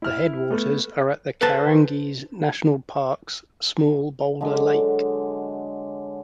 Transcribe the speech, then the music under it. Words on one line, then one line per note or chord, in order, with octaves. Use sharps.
The headwaters are at the Kahurangi National Park's small Boulder Lake.
E4 F6
A3 B3
A4 B4 C5 A5
D3 F#3 G#3